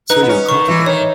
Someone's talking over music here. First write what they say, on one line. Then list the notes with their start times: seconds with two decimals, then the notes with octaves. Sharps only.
So you are caught again!
0.10 D#4 B4
0.23 B3
0.29 C#4
0.48 D#3 C#6
0.68 E3
0.86 D#3 C#5